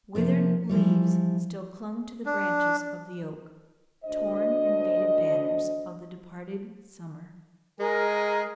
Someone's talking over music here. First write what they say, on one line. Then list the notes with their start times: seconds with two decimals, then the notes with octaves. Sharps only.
Withered leaves still clung to the branches of the oak: torn and faded banners of the departed summer.
0.15 C3 F3 A#3 D4
0.69 E3 F3 G3
2.26 D4
4.04 D2 D4 C5 D#5
7.79 G#3 A#4 G#5